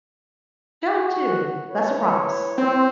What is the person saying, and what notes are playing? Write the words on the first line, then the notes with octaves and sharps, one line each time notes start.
Y'all too, that's a promise.
F#4
E4 B4 C#5
C4